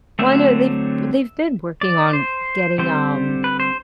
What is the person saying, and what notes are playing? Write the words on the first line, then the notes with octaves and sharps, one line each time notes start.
Well, I know, they've they've been working on getting, um
D3 F#3 A3 C4 E5
D5
C5
D3 G3 C4 C5
B4
C5